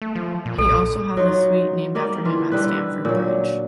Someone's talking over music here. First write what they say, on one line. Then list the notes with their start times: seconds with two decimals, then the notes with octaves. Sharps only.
He also has a suite named after him at Stamford Bridge.
0.02 A3
0.15 F3
0.46 A#2
0.58 B1 A4
0.71 A#2
1.17 F#3 D#4 F4
1.95 G3 A#3 D#4 D5
2.25 E3 F4
2.52 D3 G3 D#4 B4
3.05 A#2 F#3